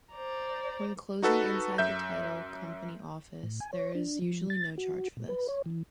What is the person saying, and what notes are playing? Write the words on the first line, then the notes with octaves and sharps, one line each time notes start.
When closing inside the title company office, there is usually no charge for this.
C5 D5 A#5
D#4 F#4 A4 B4
F#2 E5 G6
A2
G#5
C#5
D4
F3
A6
F#4
A#2
B4
C#5
E3